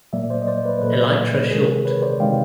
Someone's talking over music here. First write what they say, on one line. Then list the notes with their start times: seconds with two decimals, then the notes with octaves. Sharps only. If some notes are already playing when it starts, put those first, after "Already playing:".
Elytra short.
0.13 A#2 F#3 A#3 D5 E5
0.30 C5 D5
0.42 D#5
0.47 C5 D5
0.65 B4 C#5
0.82 A#2 F#3 A#3 A4 B4
1.51 C3 D#3 G#3 G#4 A#4
1.85 B4 C#5
2.02 C5 D5
2.20 C3 D#3 G#3 F5 G5